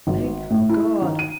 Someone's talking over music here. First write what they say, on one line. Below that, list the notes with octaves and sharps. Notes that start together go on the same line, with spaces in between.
Thank God!
G#1
A2
E4
D#3
D#7